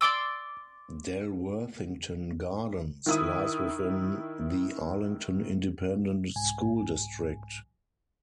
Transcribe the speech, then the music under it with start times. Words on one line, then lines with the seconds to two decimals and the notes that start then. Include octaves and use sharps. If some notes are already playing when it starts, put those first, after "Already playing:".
Dalworthington Gardens lies within the Arlington Independent School District.
0.01 D5 C6 D6 E6
3.06 D#3 E4 D#6
6.36 C2 G#2 G#5